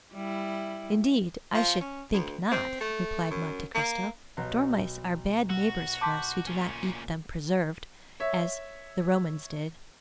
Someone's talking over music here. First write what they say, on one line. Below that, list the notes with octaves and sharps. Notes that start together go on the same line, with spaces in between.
"Indeed, I should think not," replied Monte Cristo; "dormice are bad neighbors for us who do not eat them preserved, as the Romans did."
G3 E4
F3
C#4
D2
C4
A3
F#2
A#3
B1 F#3
F#4 F#5 E6
A5 C6 D6 G6 B6
A#2 C#4
C#5 E5